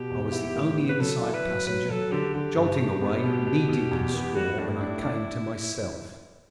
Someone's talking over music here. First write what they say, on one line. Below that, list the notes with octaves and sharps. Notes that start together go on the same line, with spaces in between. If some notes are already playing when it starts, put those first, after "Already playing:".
I was the only inside passenger, jolting away knee-deep in straw, when I came to myself.
Already playing: B2 G4
E2
E4
A2
B3
B4
F#3 A4
E4
B4
F#3
F#3 B4
F#3 A4
D3 G4
D3 G4
G2
G2
B3
B2
B2
B2
E2
B3
G3 F#4
A2 D4
E4
D4
D4